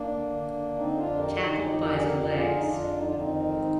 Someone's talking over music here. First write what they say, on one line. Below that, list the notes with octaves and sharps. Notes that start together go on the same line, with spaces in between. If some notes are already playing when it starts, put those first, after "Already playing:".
Tackle by the legs.
Already playing: A#3 D4
D3
D3
D3
D3 C4 D#4
F2 D4 F4
D3 G4 A#4
F2 D#4 G4
G#4
F2 D#4 G4
D3 G4 A#4
G#4
F2 G4 A#4
D3
F4 G#4
F2
D#4
F2 D4 F4
D3
D#4
F2 F4
C4 D#4
D#3
G#2